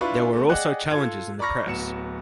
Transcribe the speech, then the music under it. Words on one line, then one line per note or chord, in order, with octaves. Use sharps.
There were also challenges in the press.
D4 E4 F4 B4 B5 C#6
A3 B3
G#4 D5 D#5 F#5 G5 F#6
F4 A4 G#6
D5 A#5 B5 C#6 F6 A#6
D1 F#3 B3 C#7 E7